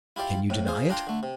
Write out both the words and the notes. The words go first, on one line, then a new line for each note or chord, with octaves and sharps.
Can you deny it?
E4 F4 G4 D5 F5
F2 A2
F4 G#4 C5
D4 F4 F5 G5 A#5 C6
D3 A3
C3